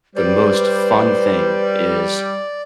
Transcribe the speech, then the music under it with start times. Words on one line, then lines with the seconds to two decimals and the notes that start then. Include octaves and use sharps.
the most fun thing is
0.16 G3 B4 C5 D5